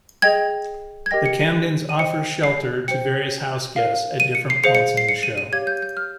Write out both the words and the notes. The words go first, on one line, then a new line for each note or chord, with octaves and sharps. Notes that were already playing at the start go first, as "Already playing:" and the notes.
The Camdens offer shelter to various house guests at different points in the show.
G#4 D#5 G5 G#6
G#6
G4 A#4 D#5 G5 A#6
C#7
D#7
D#7
C5 D#5 G5 C#7
C7
C5 G5 C#7
A#4 F5
D#7
C#7
C7
G#4 C5 F5 C#7
C#7
C7
C#7
D#7
D#7
G4 C#5 F5 G#6
G6
G6
F6